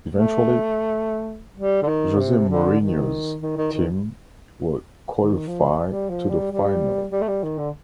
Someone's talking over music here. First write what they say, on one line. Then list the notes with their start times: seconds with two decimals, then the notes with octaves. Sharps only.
Eventually Jose Mourinho's team will qualify to the final.
0.12 A3
1.57 G3
1.82 D3
1.87 D#3
2.18 C3
2.49 D3
2.80 D#3
3.42 D#3
3.57 D#3
3.72 D#3
5.23 D3
5.27 D#3
5.47 F3
5.88 G3
6.09 F3
6.30 G3
6.51 G3
7.12 G3
7.21 A3
7.28 G3
7.43 D#3
7.58 D3